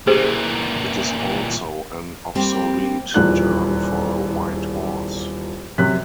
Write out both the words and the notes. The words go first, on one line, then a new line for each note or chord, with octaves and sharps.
It is also an obsolete term for a white horse.
A#2 E3 G4 G#4 C5
G3 A#3 C4 G4
D#1 E2 F3 F#6
F#2 C3 F#6 B6